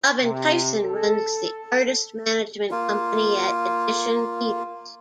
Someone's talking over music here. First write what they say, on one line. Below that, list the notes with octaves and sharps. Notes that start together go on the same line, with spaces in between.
Robin Tyson runs the artist management company at Edition Peters.
C3
A4
A#3 F4